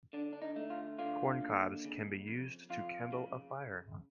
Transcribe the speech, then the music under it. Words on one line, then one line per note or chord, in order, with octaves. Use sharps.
Corn cobs can be used to kindle a fire.
D3 D4
D4
D#4
A3
F4
D3 F4
D#2
C#3
F2
F2 F4
C#3